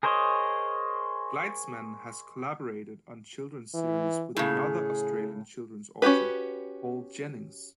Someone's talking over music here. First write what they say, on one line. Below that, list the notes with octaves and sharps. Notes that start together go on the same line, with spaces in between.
Gleitzman has collaborated on children's series with another Australian children's author, Paul Jennings.
G#4 A#4 C5 C#5 D#5
E3
A2 C#3 G#4
C#4 F#4 G4 B4